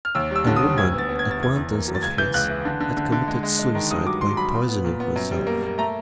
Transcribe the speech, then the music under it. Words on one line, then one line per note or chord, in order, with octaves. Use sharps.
A woman acquaintance of his had committed suicide by poisoning herself.
F6
D#2 E6
G3 E6
D3
D#6
G3
D2 G#6
B3
A6
B3
G#6
B3
A6
E2 G#6
E2
A#3
F#3
A6
C#2 G#6
E3 G6
C#2 F#6
E3
D3
D3
D3
D3
G#3
G#3
G#3
D#3
G2 D#6
F#3 D6
F#3 C6
F#3 B5
A#2
B3
A#2
B3
F#2
G3
A#3
A#3
A3 A#5